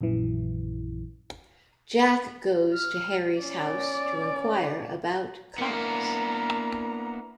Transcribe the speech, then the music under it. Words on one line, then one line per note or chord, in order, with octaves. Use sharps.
Jack goes to Harry's house to inquire about Cox.
A#1 F#2 E3
F6
C#4 D5
A#3 B3 D4 E4 A#4 A#5